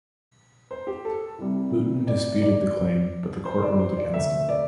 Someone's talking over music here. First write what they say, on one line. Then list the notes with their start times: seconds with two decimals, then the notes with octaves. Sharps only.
Lewton disputed the claim, but the court ruled against him.
0.71 C5
0.87 G4
1.05 A4
1.38 C2 C3 G3
2.07 D5
2.42 D5
3.45 C5
3.63 D5
3.79 C5
3.97 D5
4.14 D2 C3 A3 C4 E5
4.49 D5